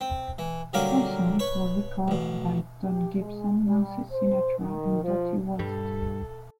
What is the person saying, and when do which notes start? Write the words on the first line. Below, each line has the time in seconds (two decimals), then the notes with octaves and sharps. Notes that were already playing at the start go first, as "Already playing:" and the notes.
Her songs were recorded by Don Gibson, Nancy Sinatra, and Dottie West.
0.01 C4
0.39 E3
0.73 D3 F#3 G3 A#3 F5 D6
1.39 B4 C#5 C#6
2.08 A1 B2
2.85 G4
3.19 G#3
3.66 G3
4.12 C5
4.59 D#3
5.04 F3
5.59 G2 G3 A4